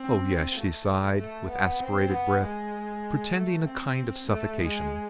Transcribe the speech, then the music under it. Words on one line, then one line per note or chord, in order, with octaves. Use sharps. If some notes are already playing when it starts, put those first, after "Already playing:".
"Oh yes," she sighed, with aspirated breath, pretending a kind of suffocation.
Already playing: C4
A3
A3
B3
C4
B3
G#3
A3
C4
A3
G#3